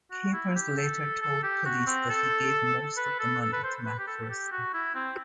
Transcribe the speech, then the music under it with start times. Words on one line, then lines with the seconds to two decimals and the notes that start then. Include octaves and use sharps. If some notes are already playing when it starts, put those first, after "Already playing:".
Capers later told police that he gave most of the money to McPherson.
0.11 F#4
0.33 E4
0.55 G4
0.77 A4
1.22 A4
1.43 G4
1.66 F#4
1.87 C4
2.09 A4
2.97 B4
3.19 A4
3.41 A4
3.53 B4
3.63 C5
3.85 B4
3.99 G4
4.07 A4
4.29 G4
4.51 F#4
4.73 E4
4.95 C4